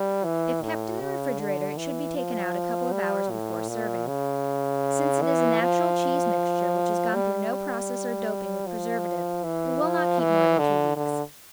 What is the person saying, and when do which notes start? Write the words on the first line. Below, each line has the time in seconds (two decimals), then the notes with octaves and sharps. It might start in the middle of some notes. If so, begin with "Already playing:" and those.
If kept in the refrigerator, it should be taken out a couple of hours before serving. Since it is a natural cheese mixture, which has gone through no process or doping with preservative, it will not keep more than two weeks.
Already playing: G3
0.24 E3
0.63 A2
1.01 C#3
1.39 D3
1.77 E3
2.15 F3
2.92 G3
3.31 A2
3.69 A#2
4.07 C#3
5.22 E3
5.60 F3
7.14 G3
8.67 F3
9.44 E3
9.82 F3
10.20 E3
10.59 D3
10.96 D3